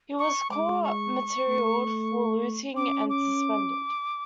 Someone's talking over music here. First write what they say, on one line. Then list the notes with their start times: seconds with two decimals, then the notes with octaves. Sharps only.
He was court-martialled for looting and suspended.
0.19 C#6
0.51 G#3 D6
0.83 C#6
1.48 A3
2.76 C#4 D6
3.09 D6